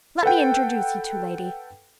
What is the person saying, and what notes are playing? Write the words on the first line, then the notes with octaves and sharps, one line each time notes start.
Let me introduce you two ladies.
A4 B4 F#5 G5